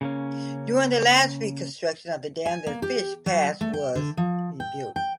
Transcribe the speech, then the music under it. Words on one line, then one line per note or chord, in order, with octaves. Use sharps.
During the last reconstruction of the dam the fish pass was rebuilt.
C#3 A#3 C#4
G#5
A#3
G4
F#3
A3
G5
D3
F3
G5
G5